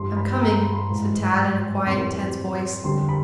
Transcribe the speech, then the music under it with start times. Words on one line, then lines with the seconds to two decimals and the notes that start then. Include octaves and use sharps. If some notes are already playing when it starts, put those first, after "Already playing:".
"I'm coming," said Tad in a quiet, tense voice.
Already playing: G2 E3 G3 C6
0.16 B5
0.41 A#5
0.57 B5
0.73 C6
0.89 G#2 E3 G#3
1.87 F2 C3 E3 G3 C6
2.84 F2 D3 G3 C6
3.09 B5